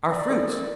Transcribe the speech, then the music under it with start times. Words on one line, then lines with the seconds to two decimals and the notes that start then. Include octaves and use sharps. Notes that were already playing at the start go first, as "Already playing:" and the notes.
Our fruits.
0.10 E4 D5
0.30 A4
0.49 A#4 D5